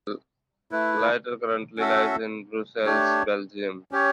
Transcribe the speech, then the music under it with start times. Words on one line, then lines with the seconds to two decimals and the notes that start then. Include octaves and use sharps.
Lietaer currently lives in Brussels, Belgium.
0.71 A3 E4 B4
1.78 C#4 F#4 A4 E5
2.86 A3 D4 G4 C#5
3.91 C#4 G4 C#5